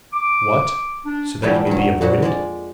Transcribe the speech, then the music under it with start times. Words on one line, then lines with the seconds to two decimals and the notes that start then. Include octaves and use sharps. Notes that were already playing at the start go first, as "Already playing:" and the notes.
"What! so that you may be avoided?"
0.12 D6
1.05 D4
1.42 A#2 E3 F#3 G3 G5 A5
1.67 G2 F#3
2.01 F2 A#2 F#4
2.22 G#3 G#4 D5